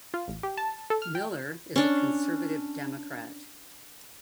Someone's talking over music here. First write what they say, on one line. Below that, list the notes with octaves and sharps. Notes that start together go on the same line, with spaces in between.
Miller is a conservative Democrat.
F4
A1
G4
A5
A4
F6
G5
C#4 D4